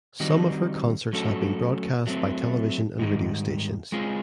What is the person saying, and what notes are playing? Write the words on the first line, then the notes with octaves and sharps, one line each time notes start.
Some of her concerts have been broadcast by television and radio stations.
D#3 G3 C4 D#4 F#4
F#3 A3 C#4 F#4 A4
F#3 A3 C4
G#2 D#3 G3
G#3 C4 F4 G#4